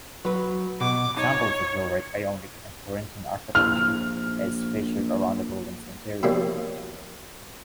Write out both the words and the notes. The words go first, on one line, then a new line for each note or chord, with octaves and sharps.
Examples of Doric, Ionic, and Corinthian architecture is featured around the building's interior.
F#3 B4
B2 D6
D#4 C#5
A#1 F6
B2 D#3 F3 G3 A#3 C#4